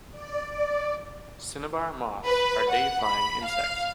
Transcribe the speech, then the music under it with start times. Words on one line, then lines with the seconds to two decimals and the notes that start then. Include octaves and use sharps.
Cinnabar moths are day-flying insects.
0.11 D5
0.50 D5
2.25 B4
2.71 F#5
3.03 B5
3.44 F5